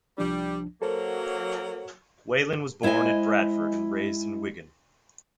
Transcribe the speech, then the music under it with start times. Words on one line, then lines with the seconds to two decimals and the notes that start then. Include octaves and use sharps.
Whelan was born in Bradford, and raised in Wigan.
0.18 C2 F3 G3 D4
0.82 F#3 A#3 A4 A#4 C5
2.83 G#3 E4 C5 D#5 G#5